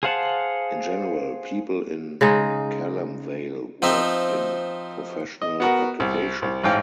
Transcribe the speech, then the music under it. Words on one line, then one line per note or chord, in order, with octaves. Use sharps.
In general, people in Calamvale work in professional occupations.
G#4 C5 F5 F#5 A5
C#3 G#3 D#4
F3 C4 D#4 E5
D#5
B3 F#4 A#4
C2
C2
A1 G#2 F5 G5